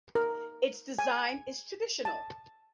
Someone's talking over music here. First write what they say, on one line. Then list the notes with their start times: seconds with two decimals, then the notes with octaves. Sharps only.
Its design is traditional.
0.15 A#4
0.99 G#5
2.05 A5